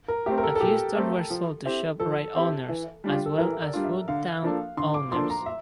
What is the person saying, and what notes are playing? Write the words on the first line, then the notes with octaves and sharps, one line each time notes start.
A few stores were sold to Shop Rite owners as well as Foodtown owners.
A#4
A3 C4 G4
A#4
A4
A4
A#2 G4
A3 C4
F3
C4 E4 G4
F3 A4
C4 E4 G4
E3
G3 D4 F4
G4
A4
E3 A#4
D5
G3 D4 F4
E5
D3 F5
F3 A#3 D4 A4
D3 C6
D6
F3 A#3 D4 A4 C6
A#5
E5